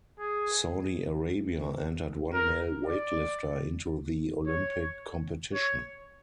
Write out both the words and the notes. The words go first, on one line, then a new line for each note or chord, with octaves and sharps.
Saudi Arabia entered one male weightlifter into the Olympic competition.
G#4
A#4
D5
C#5
C#5